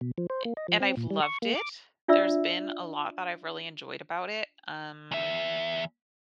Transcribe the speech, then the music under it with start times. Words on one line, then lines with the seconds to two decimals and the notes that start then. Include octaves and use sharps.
a and I've loved it. There's been a lot that I've really enjoyed about it, um,
0.01 B2
0.18 F3
0.30 C5
0.45 A#3
0.57 D#5
0.68 F3
0.80 C4
0.97 A#2
1.10 G3
1.23 C#6
1.42 A#3
1.55 D6
2.08 D4 F4 D5 E5 E6
5.11 E2 E5